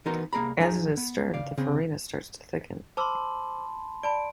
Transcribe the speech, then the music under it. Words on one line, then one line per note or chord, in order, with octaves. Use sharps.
As it is stirred, the farina starts to thicken.
E3 B3 D#4 F#4 A#4 C6
C2 A#3 G#4 A#5 B5
F3 D#4 G#4
B3
C#3 D5 F5
C#3 C4 G#4
C5 A5 B5 C6 D6 E6
D5 A5 B5 D7